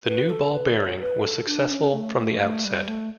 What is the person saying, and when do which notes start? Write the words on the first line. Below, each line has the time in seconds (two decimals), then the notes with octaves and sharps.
The new ball bearing was successful from the outset.
0.05 B4
0.29 A4
0.52 B4
0.75 C#5
1.00 B4
1.23 A4
1.47 D4
1.70 C#4
1.93 A3
2.17 A3
2.41 A3
2.65 G3
2.88 A3